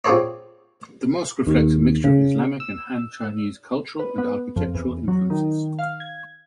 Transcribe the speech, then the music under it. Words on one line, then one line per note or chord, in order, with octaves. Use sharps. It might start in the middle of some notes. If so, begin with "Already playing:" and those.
The mosque reflects a mixture of Islamic and Han Chinese cultural and architectural influences.
C4 F4 G#4 A4 C#5 D5
D#2
C#3
E6
B4
B3
F2
E2
F#3
D#3
F5
G#6